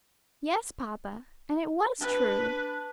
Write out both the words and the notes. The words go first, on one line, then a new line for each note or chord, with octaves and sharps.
"Yes, papa, and it was true."
D4 B4